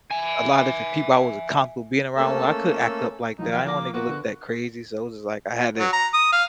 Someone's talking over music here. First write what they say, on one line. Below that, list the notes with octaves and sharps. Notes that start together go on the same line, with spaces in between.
a lot of different people I wasn't comfortable being around with, I couldn't act up like that, I didn't wanna go look that crazy, so, it was just like, I had to
E5 G#5
A3 A#3 C#4 A4 E6
D#3 F3 F#3 D#4
F5 G5
F3 A#3 D6 A#6
B3 F4 F#4 A#4 B4
D3 F#6
F#3
A#5
D#6
F5